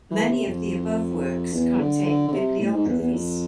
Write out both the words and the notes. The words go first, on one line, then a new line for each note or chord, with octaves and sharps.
Many of the above works contain bibliographies.
E3
C3
F2
E2
D3
D3
D3
C3
A2
G#2
E2
E2
F2